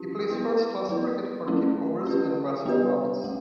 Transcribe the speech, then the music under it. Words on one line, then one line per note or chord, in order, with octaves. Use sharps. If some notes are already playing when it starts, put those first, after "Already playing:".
He plays first-class cricket for the Cape Cobras and Western Province.
Already playing: C#4 E4 G4
B3 E4 B4
F#3 B3 E4 B4
F#3 A3 C#4 E4
C#4 G4 B4
G3 B3 D4 G4 B4
A3